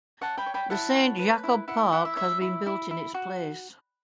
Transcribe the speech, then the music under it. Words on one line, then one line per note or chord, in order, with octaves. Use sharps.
The Saint Jakob-Park has been built in its place.
C#5 F#5 A5
G5 B5
C#5
G5 B5
E4 F#5 A5
C#5
B4
E4
E4 F#5
E4 F#5
E5
C#5 E5
E4
E4
E4
F#4